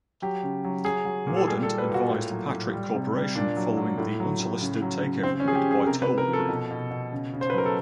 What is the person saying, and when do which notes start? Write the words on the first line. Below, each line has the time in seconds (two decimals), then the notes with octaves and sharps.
Mordant advised Patrick Corporation following the unsolicited takeover bid by Toll Group.
0.22 F#3 G4
0.43 C#3
0.64 F#3
0.85 F#3 G#4
1.05 F#3
1.27 A#2
1.36 A4
1.48 G3 G#4
1.63 A4
1.68 G3
1.78 B4
1.89 A#2
1.94 F#4
2.10 A2
2.31 F#3
2.52 A2
2.73 G3
2.94 C3
3.15 G3
3.35 A#2 D4
3.57 F#3
3.77 F#3
3.98 A2
4.20 F#3
4.40 A2
4.61 C#3
4.82 F#3
5.03 C#3
5.23 C#3 C4
5.40 C#4
5.44 F3 G#4
5.55 G4
5.66 C#3
5.71 G#4
5.87 C3 A#4
6.02 B4
6.07 C3
6.18 A#4
6.28 F3
6.33 A4
6.49 B2
6.71 B2
6.91 B2
7.12 C#3
7.33 C#3
7.41 C5
7.50 B4
7.54 F#3 A#4
7.66 A4